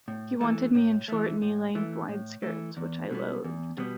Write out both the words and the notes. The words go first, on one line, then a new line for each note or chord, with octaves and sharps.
He wanted me in short knee-length wide skirts, which I loathed.
A2
E3 A3
A2
E3 A3
A2
E3 A3
A2
E3 A3
E2
B2 G3 B3
E2
B2 G3 B3